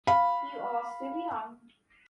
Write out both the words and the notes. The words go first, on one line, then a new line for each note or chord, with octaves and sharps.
You are still young.
F5 B5